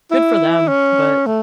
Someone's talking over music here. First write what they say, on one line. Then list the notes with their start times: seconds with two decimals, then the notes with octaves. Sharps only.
good for them. But
0.11 E4
0.68 C#4
1.26 A3